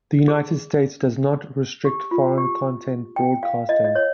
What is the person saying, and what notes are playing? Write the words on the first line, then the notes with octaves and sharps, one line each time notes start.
The United States does not restrict foreign content broadcasting.
G#4
G4
F4
G4
G5
F5
D#5
D#5
C#5